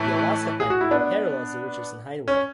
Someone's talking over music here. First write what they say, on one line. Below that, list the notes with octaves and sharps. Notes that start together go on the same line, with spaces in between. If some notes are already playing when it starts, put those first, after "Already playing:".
The Alaska Pipeline parallels the Richardson Highway.
Already playing: A2 E3 A3 E4
G#4
F#4
E4
B3 D4
C#4